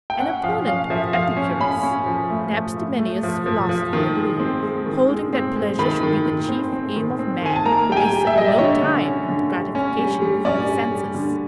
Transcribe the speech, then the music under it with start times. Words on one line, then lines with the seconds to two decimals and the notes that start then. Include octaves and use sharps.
An opponent of Epicurus, an abstemious philosopher who, holding that pleasure should be the chief aim of man, wasted no time in gratification from the senses.
0.10 G5
0.20 C#4 F#5
0.44 F3 F5
0.67 C#4 F5
0.90 F3 E5
1.13 F3 F5
1.37 C#4
1.60 C#4 B5
1.83 C#4
2.06 F3
2.30 A3
2.53 F3
2.76 A3
2.99 A3
3.23 F3
3.46 F3
3.69 F3
3.93 D#3
4.16 G#3
4.39 C4
4.63 G#3
4.86 D#3
5.09 G#3
5.33 C4
5.56 G#3
5.79 D#3 B5
6.03 D#3
6.26 D#3
6.49 C4
6.72 C4
6.96 D#3
7.19 C4
7.42 D#3 G#5
7.56 A5
7.65 A#3 A#5
7.89 G3 G5
7.97 G#5
8.12 G3
8.27 E5
8.35 G3 D#5
8.48 D5
8.58 D3 C#5
8.82 D3
9.05 C#4
9.29 D3
9.52 G3
9.75 C#4
9.98 G3
10.22 G3
10.45 C#4 D5
10.69 G3
10.92 G3
11.15 D3